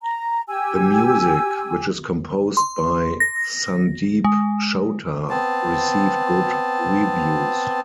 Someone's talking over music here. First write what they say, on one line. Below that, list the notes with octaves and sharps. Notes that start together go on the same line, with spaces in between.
The music, which is composed by Sandeep Chowta, received good reviews.
A#5
G4 G#5 E6
C6
A#6
G#3
B3 C4 A5